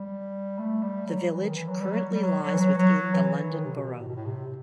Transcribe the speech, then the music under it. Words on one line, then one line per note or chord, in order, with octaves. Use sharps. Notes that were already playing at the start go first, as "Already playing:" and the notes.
The village currently lies within the London Borough.
Already playing: G3
A3
G3
F#3
E3
D#3
E3
F#3
G3
F#3
G3
F#3
F#3
E3
F#3
F#3
E3
D#3
C3
B2
A2
B2
A2
C3